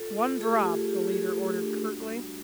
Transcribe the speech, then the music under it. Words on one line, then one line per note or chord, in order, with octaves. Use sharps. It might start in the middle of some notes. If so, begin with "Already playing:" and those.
"One drop!" the leader ordered curtly.
Already playing: F4 A4
F4
A3 G#4
G4
F4 G#4
F4 G4
F4 G#4
G4
A3
G4
D4
G3 F#4
G3